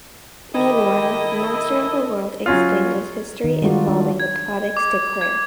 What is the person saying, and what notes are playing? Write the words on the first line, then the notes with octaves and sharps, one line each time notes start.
Meanwhile, Master of the World explains his history involving the Plodex to Claire.
D#3 E4 G4 A4 D#5 B5
E5
F#3 C#4 F4
D#3 D#4
G3 G#3 D4 F4 F#4 D5
D4
G#6
D6
G#6